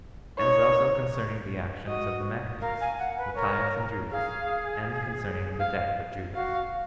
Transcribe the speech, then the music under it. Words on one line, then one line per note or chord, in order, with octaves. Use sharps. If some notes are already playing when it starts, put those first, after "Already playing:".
As Also Concerning The Actions Of The Maccabees, Matthias And Judas; And Concerning The Death Of Judas.
D#4 C#5
F#4 D#5
A#4 F5
G#5
F#5
B4
A#4 C#5
G#4 F5
F5
F#4 F5